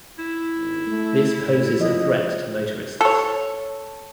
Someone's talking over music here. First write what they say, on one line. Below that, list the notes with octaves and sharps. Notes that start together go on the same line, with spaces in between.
This poses a threat to motorists.
E4
G#1
A3
A2
C#2 F3 D#5
A4 C#5